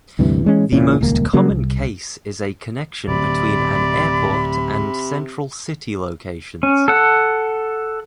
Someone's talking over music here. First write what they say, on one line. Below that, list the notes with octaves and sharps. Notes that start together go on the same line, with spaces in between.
The most common case is a connection between an airport and central city locations.
D2 G2 C3 E3
E3 G#3 C#4
E1 A#2 E3 C#4
D#1 C#2 A#3
C#3 F#3 G3 A#3
C2
D1 C3 D5 B5
C#4
A4 F#5